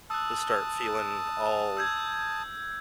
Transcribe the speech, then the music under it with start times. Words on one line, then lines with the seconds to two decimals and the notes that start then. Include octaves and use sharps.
You'll start feeling all
0.10 A5 D#6 E6 F#6
1.77 E6 G6 G#6